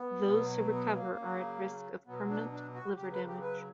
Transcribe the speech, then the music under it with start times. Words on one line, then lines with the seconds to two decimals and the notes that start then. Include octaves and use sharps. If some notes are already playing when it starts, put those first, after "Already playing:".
Those who recover are at risk of permanent liver damage.
Already playing: B3
0.27 B2 F#3
0.72 B3
0.94 A#3
1.16 C#3 F#3
2.07 B2 F#3 B3
2.29 D4
2.51 D4
2.74 F#4
2.97 C#3 F#3 G4
3.11 B4
3.27 G4
3.41 B4